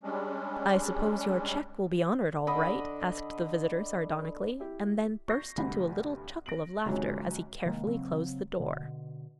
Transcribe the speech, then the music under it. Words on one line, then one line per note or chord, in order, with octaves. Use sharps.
"I suppose your cheque will be honoured all right?" asked the visitor sardonically, and then burst into a little chuckle of laughter as he carefully closed the door.
G3 G#3 C#4 D4
D3 D#5 B5
E4 G4
C#6 G6 A#6 C7
D2 G2 C3 F#5 B5
A#6 D7 F#7
C#2 G#2 C3 D#3 F#3 C#4
C3 D#3 G#3 A#3
C#3 F#3 C4
B2 D3